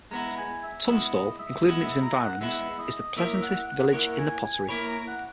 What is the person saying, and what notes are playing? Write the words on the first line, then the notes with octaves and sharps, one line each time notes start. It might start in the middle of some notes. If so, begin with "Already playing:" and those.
Tunstall, including its environs, is the pleasantest village in the pottery.
G#3 B3 E4 A#5
G#5
E5
G#3 B3 E4 D#5
D#5
E5
G#3 B3 E4 D#5
E5
A#5
F#5
G#3 B3 E4 E5
D#5
A#3 E4 A#4 C#5 E5
F#5
F#5
A#3 E4 A#4 C#5 F#5
G#5
G#5
A#3 E4 A#4 C#5 B5
A#5
F#5